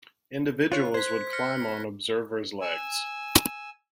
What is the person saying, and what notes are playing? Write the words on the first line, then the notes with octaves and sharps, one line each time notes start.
Individuals would climb on observer's legs.
F4 C#5 F#6
C5 G#6 B6
F6 A#6 C#7
G#5 E6